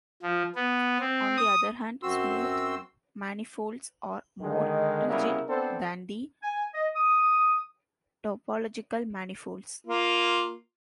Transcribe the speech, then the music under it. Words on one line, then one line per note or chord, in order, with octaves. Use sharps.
On the other hand, smooth manifolds are more rigid than the topological manifolds.
F3
B3
C4
D#6
F#2 C4 F#4 C6 E6
D3 D#3 G#3
C2 C#3 G3 B3 E4 A#4
B3 C4 D4 A4 C5
G#5
D#5
D#6
A#3 F4